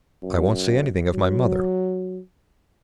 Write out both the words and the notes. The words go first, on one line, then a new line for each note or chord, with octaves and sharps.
I won't say anything of my mother!
F#2
F#3